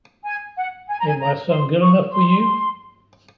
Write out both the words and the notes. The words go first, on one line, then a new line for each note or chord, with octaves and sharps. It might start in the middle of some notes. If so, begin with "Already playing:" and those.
Ain't my son good enough for you?
G#5
F#5
G#5
A#5
G#5
A#5
C6
C#6
C6